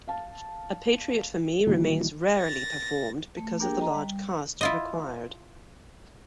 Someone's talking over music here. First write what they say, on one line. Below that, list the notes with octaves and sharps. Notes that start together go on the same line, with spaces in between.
"A Patriot for Me" remains rarely performed because of the large cast required.
F5 A5
A#2 D#3 E3 F#3 G3
A6 A#6
A3
A#3 D4 G4 G#4 A#4 G5
D#5 A#5
G3
E4 F4 D#5